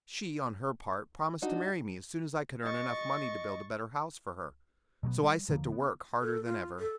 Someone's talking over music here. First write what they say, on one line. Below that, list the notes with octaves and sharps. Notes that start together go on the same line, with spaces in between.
She, on her part, promised to marry me as soon as I could earn enough money to build a better house for her; so I set to work harder than ever.
D4 D#4 F#4
D#5 C#6 A6
B2 F#3 G3 B3
G3
D#1 D3 F3 A#3
B3
A4
F4
A4